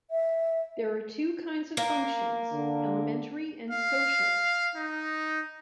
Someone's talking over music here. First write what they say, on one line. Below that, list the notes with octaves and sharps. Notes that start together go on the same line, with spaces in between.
There are two kinds of Functions: Elementary and Social.
E5
A#3
D3 D4
F5
D#4